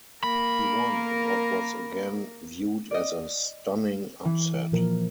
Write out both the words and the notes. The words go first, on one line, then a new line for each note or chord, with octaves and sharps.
He won in what was again viewed as a stunning upset.
A#3 A#4 B5
D5 D#5
E3
A#2 F3 A#4